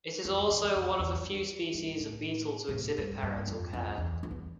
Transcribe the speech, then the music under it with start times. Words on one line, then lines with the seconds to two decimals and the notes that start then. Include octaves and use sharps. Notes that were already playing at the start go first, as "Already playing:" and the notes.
It is also one of the few species of beetle to exhibit parental care.
0.25 F2
0.50 E2
0.75 F2
0.99 E2
1.24 F2
1.74 G2
2.00 A2
2.69 B2
2.74 A2
2.98 G2
3.23 G2
3.48 F2
3.73 F2
3.98 E2
4.23 F2
4.31 E2